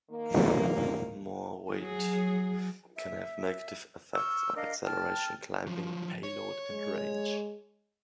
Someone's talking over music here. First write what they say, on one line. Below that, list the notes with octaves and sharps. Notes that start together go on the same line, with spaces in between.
More weight can have negative effects on acceleration, climbing, payload, and range.
D#3 A#3
F#3 G#4
E5
C#6 E6 F6 G6
D4 A#4 D#5 F5
G5 A5 F6
F3 F#3
C#5
G#3